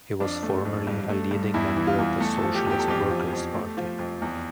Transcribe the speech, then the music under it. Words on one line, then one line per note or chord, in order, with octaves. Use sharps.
He was formerly a leading member of the Socialist Workers Party.
F2 D4
A3
F2
G2
A3
G2
E2 E4
E3
F4
E2
A3 A4
F3 A4
G4
E2 G4
A4
F2 G4
F3
F2
A3
F3
F2
E2